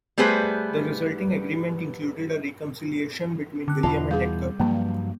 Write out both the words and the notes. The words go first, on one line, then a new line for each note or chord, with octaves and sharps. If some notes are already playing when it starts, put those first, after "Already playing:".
The resulting agreement included a reconciliation between William and Edgar.
G3 A3 B3 G#4 B4 C5
D3 F#6
E2 B2 E3 F4 A5
G3 G#4 F5
G2 F3 F#3 A#3